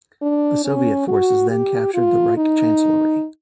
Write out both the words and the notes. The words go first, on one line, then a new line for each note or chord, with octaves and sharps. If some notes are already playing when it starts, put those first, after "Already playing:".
The Soviet forces then captured the Reich Chancellery.
D4
C#4
F#4
G4
F4
D#4